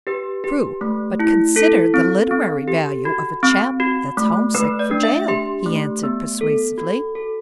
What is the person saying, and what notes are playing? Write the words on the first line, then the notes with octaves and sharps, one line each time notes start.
"True--but consider the literary value of a chap that's homesick for jail," he answered, persuasively.
G4 B4
G4
A3
E4
E4 A4
C4
C4
G4
F#4
C4
F#4
A3
A3 B4
D5
D4
E5
G4 C6
A3
B3
A4
F#4
A4